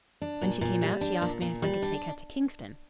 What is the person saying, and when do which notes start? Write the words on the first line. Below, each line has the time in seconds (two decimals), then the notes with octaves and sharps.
When she came out she asked me if I could take her to Kingston.
0.22 D4
0.42 A#2
0.61 A#2
0.81 G3
1.01 D4
1.22 A#2
1.42 A#2
1.62 G3
1.82 D4